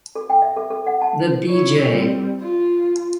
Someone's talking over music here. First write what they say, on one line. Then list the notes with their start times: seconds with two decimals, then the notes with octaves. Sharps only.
The B. J.
0.15 A4
0.30 G5
0.42 E5
0.57 A4
0.70 A4
0.87 F#5
1.02 A5
1.48 E4 C#5
1.91 G3 C4
2.41 F4